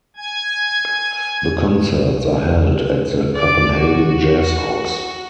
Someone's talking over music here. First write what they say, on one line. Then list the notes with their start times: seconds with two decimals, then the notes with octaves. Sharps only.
The concerts are held at the Copenhagen Jazz House.
0.16 G#5 G#6
3.35 D5 D6
3.75 F#4